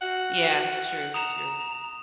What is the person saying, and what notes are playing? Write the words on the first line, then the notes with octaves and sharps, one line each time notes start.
Yeah. True, true.
F#4 F#5
A#5 D#6 E7